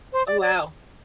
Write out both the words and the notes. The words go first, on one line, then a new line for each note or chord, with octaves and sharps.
Oh, wow.
C5
D5
D5